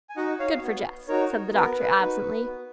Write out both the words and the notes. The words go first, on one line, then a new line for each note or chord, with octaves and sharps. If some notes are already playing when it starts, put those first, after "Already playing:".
"Good for Jess," said the doctor absently.
G#5
D#4 F#4 D#5 F#5
C#5 F5
B3
D#4 F#4 A#4 C#5
B3 B4
A#4
B4
D#4 F#4
B3